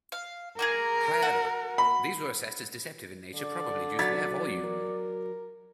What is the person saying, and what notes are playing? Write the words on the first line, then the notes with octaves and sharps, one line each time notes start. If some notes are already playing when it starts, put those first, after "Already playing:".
However, these were assessed as deceptive in nature probably due to their volume.
F5
A#3 F4 G#4 A#4
F#4
B5
D3 D5
F#3 G#6 A6 B6
A#4